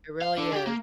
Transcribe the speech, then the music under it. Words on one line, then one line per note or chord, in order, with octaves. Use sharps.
It really is.
F5
D3
G4 G#4
A#3